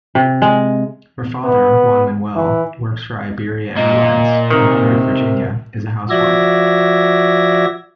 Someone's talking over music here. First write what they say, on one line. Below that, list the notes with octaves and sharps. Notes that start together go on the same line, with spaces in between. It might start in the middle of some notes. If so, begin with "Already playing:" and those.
Her father, Juan Manuel, works for Iberia Airlines; her mother, Virginia, is a housewife.
C3
G#3
B3
E3
A#2 A#3 D#5
C3 D#3 A#4
F3 F#4 D5 E5 G#6 A#6